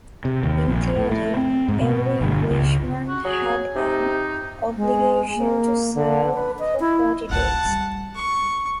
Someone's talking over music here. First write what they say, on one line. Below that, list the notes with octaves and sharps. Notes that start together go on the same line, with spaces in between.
In theory, every Englishman had an obligation to serve for forty days.
C3
D#2
A#1
A2
A2
C4
G#2
B2
G1
C#2
F#4
F#3 G#4
C3 D#4
G#3
A#3
D3
B4
D#5
E4
D1 A1 F#5 A5
G3
C#6